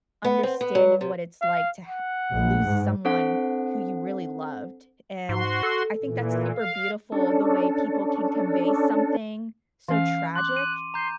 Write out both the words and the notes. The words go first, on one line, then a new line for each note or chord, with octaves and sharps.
understanding what it's like to ha lose someone who you really loved, and I think that's super beautiful the way people can convey something so tragic
B3
C4
B3
F#3
C3
F5
F#5
A#1
G#2
C4 D4 A4 C5 F#5
G#2 F#4 C6
A4
A#2 E3
F5
C#4 D4 A4
E3 C#4 F5
C6 D6 F#6
D#7
A#5 C6 G6